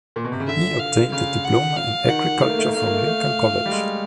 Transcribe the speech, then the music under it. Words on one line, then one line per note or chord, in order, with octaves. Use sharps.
He obtained a diploma in agriculture from Lincoln College.
A#2
B2
C3
C#3
D3 E5
F5
C#3 F5
F#5
F5
D#3 F#5
A3 F5
A#3
A3
A#3
A3 F5
A#3
A3
A3
G3
G#3